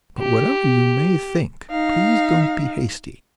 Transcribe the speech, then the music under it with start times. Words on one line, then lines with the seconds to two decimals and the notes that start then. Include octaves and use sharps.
But whatever you may think please don't be hasty.
0.19 G4
1.71 D#4 F5